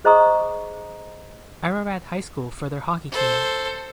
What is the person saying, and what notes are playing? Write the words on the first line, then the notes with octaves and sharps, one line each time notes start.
Ararat High School for their hockey team.
G#4 C5 D#5 A#5 C#6 D#6
A4 C5